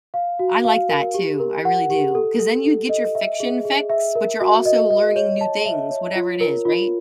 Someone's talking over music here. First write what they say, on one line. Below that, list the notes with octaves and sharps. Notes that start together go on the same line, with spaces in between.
I like that too, I really do, 'cause then you get your fiction fix, but you're also learning new things, whatever it is, right?
F5
F#4
F5
A#4
G4
A#4
F#5
G4
A4
A4
A4
D#5
E5
G#4
G#4
E5
A#4
F#4
D#5
D#5
C#5
A5
E5
C#5
F4
A#4
F4